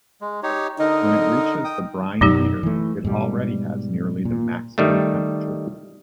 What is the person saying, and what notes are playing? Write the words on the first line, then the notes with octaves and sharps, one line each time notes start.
When it reaches the brine heater it already has nearly the maximum temperature.
G#3
D#4 G4 C#5
D3 D#4 A#4 D#5
G5 D#6
F#2 B2 F#3 D#4 G4
E3 A3
G#2 B2 G3
A#2
D#3 G3 A3